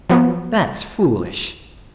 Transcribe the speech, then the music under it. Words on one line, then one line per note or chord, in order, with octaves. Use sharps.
"That's foolish."
F3 F#3 B3